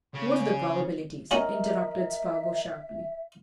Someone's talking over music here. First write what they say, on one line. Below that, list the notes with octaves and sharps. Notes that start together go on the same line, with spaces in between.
"What are the probabilities?" interrupted Spargo sharply.
C#3 C#5
C#4 F#4 A#4 D#5 E5 A5